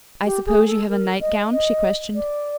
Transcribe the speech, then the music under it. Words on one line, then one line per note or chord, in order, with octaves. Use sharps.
"I suppose you have a nightgown?" she questioned.
G4
G#4
A4
A#4
D#5
D#5
D5